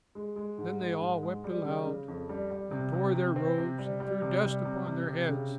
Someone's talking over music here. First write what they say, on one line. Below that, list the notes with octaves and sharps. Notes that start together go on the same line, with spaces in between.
Then they all wept aloud and tore their robes and threw dust upon their heads.
G#3
G#3
G#2
G#3
G#2
G#3
G3
C#3
C#3
F2
G3
G3
C3
C3
C3
C4
C3
G3
G3
C3
G3
C3
C3
C3
C#3